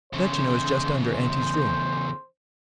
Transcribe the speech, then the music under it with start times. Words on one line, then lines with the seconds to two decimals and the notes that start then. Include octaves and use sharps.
That you know is just under auntie's room.
0.13 E2 C#3 C5
1.12 C5